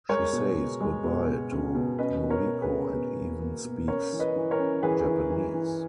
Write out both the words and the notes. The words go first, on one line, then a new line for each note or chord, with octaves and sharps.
She says goodbye to Noriko and even speaks Japanese.
G#3 A#4 C#5
B2
B2
G#3
B2
B2
C#4
B2
C#4 B4 D#5
B2
A#4 C#5
B2
G#4 B4
C#4
B2
A#3
A#3
B2
C#4 A#4 C#5
E3
B4 D#5
E3
A#4 C#5
C#4
E3 G#4 B4
E3
E3
E3